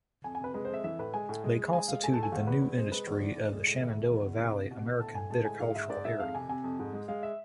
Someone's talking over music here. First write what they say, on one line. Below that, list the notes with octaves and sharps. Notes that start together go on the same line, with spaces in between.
They constituted the new industry of the Shenandoah Valley American Viticultural Area.
F2 G#5
G#5
C3 B4
G#3 B4
C5
F2 E5
E3 E5
A2 B4
G#3 G#5
A2
G#3
G#3
G#3 G#5
G#3 F5
A3 G#5
A5
A3
G#5
E2 F5
E2 B4
C3 B4
G#3 C5
G#3 B4
E2 C5
E3 D5
A2
G#3
A2
E2 E5
A3
E2
B2
C2
C2
B2
B2
A2 A5
A2 G#5
G#3 A5
A2 G#5
G#2 F5
G#2 E5
G#2 D5
G#2 E5
F2 F5
C3 G#5
C3 G#5
F2
G#2
G#3
G#3 F5
E5